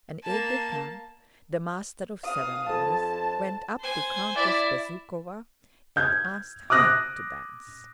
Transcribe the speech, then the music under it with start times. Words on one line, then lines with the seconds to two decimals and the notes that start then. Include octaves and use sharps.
An aide-de-camp, the Master of Ceremonies, went up to Countess Bezukhova and asked her to dance.
0.23 A#3 A5
2.24 F5 D#6
2.69 F2 A5
3.80 C5 G#5
4.37 E4 D5 E5
5.97 G6 G#6
6.70 D6 D#6 F#6 A#6